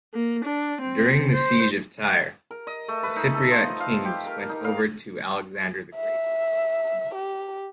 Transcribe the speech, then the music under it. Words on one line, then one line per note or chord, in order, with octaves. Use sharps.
During the siege of Tyre, the Cypriot Kings went over to Alexander the Great.
A#3
D4
C4
C5
A#4
D#5
A3
B4
D#4
A4
F3
F5
G4
A#4
D#4
F5
E5
G4